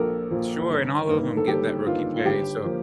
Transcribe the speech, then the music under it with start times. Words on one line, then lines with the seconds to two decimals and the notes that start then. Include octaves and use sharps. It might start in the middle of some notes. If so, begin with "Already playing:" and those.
Sure, and all of 'em get that rookie pay, and so
Already playing: A#1 A#2 F3 A#3 A4 A#4
0.31 A#2 F3 A#3
0.70 G1
1.09 G2 D#3 A#3
1.37 A4
1.48 G1 G4
1.86 G2 D#3 A#3 F4
2.16 F4
2.26 G1 G4
2.64 F3 A#3